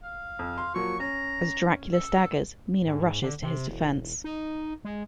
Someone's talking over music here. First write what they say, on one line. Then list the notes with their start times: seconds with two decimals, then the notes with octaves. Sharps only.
As Dracula staggers, Mina rushes to his defense.
0.03 F5
0.39 F2
0.58 C6
0.74 F3 F#3 A#3 C#6
1.00 C#4 A#5
1.93 A4
2.86 G#2
3.22 D3
3.42 C3
3.68 E1
4.24 D#4
4.85 G#3